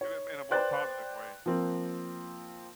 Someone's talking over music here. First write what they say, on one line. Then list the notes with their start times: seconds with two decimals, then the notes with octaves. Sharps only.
Do 'em in a more positive way.
0.01 C#5
0.51 B4 C5 D5 G5 F#6 A6
1.46 F3 A#3 C4